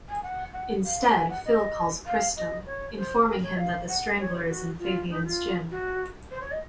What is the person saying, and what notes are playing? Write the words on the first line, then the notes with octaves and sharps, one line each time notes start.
Instead, Phil calls Kristo, informing him that The Strangler is in Fabian's gym.
G#5
F#5
F#5
F5
G#5
F#5
D#5
F5
D#5
C#5
C5
A#4
C#5
F5
F#5
C#5
F#4
F4
D#4
F4
F#4
C5
C#5
D#5